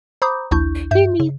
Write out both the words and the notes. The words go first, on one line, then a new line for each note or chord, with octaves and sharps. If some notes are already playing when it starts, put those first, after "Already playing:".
He need
C5 A#5 B5 D6 D#6 G6
A#1 D#2 D4 E4 C#6 G6
G2 E5 G6
C#3